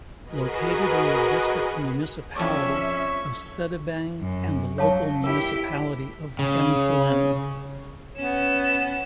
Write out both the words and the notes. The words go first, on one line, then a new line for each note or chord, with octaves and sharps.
Located in the district municipality of Sedibeng and the local municipality of Emfuleni.
F#4 G#4 A#4 B4 D#5
F2 C#4 A4 C#5 D5 E5
F#2
F#3 C#5 F5 A5
E4 G4 A#4
C#3
B3 C#4 E7